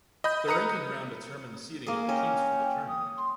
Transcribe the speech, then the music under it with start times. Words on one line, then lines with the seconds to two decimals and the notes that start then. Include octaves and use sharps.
The ranking round determined the seeding of the teams for the tournament.
0.24 D#5 B5 G6
0.48 B4 A#5 D#6 C#7
1.87 A#3 G#4 D#5
2.09 C#4 D#5 G5
2.88 D#6
3.17 C6